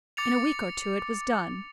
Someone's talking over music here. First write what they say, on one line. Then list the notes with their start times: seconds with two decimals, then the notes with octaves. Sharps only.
In a week or two it was done.
0.17 D6 A6 C#7 F7